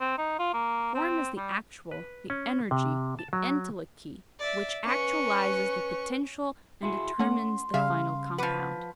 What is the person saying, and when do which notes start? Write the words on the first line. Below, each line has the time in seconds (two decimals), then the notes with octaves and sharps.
Form is the actual, the energy, the entelechy which actualises the potential and determines the final compound.
0.01 C4
0.18 D#4
0.39 F4
0.54 A#3
0.95 C4
1.37 G3
1.91 B4
2.30 C#4
2.71 C3
3.19 A5
3.33 F#3
4.39 D5 E5
4.84 C#4 B4 C#6
6.83 E4 F#4 G#4 C6
7.19 A3 C#4 F#5
7.74 C#3 G3 G#4 E5 F5
8.38 F3 B4 F#5 D6